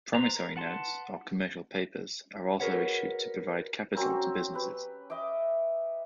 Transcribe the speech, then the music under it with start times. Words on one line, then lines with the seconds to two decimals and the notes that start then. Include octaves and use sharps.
Promissory notes, or commercial papers, are also issued to provide capital to businesses.
0.14 B4 C5 A#5
0.34 A#4
0.56 B4 F#5 A5 C6
2.60 F#4 G#4 A#4 B4 C#5 F#5
3.95 F#3 C4 C#4 A#4
4.54 G4 B4
5.10 D#5 E5 G5 D6